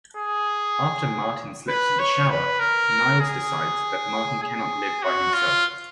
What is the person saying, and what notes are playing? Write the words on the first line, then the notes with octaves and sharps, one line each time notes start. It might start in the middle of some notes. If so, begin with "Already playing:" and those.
After Martin slips in the shower, Niles decides that Martin cannot live by himself.
G#4
B4
C#5
B4
A#4
G#4
G#4
F#4
F4